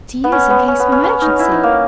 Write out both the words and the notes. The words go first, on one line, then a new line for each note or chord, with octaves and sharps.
"To use in case of emergency."
B3
C#4
B3
C#4
B3
C#4
C#4
D#4
E4
D#4
A#3